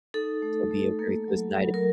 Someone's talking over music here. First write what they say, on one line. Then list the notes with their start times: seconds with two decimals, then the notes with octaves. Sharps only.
it'll be a very cozy night i
0.14 D#4 A4
0.42 A3
0.71 A3
0.99 A#3
1.28 F#3
1.56 F#3
1.74 A#4